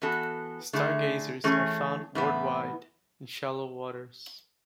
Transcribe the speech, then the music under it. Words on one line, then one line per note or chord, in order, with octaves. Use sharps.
Stargazers are found worldwide in shallow waters.
E3 B3 F#4 A4
D3 A3 E4 G#4
E3 A3 C#4 G#4
A2 E3 B3